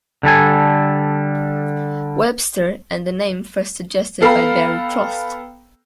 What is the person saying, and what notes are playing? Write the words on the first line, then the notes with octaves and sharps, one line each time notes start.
Webster and the name first suggested by Barry Trost.
D3 G3 A4 G#5
B3 A4 F5 G5 A#5 B5